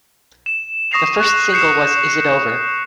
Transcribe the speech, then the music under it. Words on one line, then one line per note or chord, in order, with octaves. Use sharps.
The first single was Is It Over?
E7
C#6 D#6 A#6 C7 E7 F7
F#6
G6 C7 C#7 E7